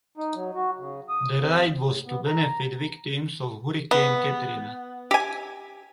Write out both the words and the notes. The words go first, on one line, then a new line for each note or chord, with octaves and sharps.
The ride was to benefit victims of Hurricane Katrina.
D#4
F#3
F#4
C#3
D#6
C3
A2
B3
A#5
B3
G4 G#5